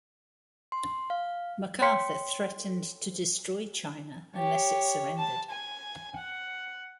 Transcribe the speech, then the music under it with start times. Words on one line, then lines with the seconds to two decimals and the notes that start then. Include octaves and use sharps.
MacArthur threatened to destroy China unless it surrendered.
0.72 C6
1.10 F5
1.81 C#5 G5 C6 B6 C#7
4.36 G4 C#5
5.18 A5
5.51 G#5
6.18 F#5